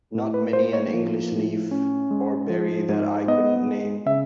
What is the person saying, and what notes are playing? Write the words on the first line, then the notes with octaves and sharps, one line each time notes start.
Not many an English leaf or berry that I couldn't name.
A2
B4
A#3 C5
C#5
F3
A2
C#4
G#3
F3
G#2
B3 D#5
G#3
C#3 E5